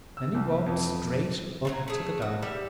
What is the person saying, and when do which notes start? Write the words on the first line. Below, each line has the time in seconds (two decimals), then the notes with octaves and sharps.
Then he walked straight up to the dog.
0.17 E6
0.35 C2
0.66 F2
1.65 A#2 F#3 G#5
1.88 A3 G#4
2.22 F#4
2.43 G3 G4 E5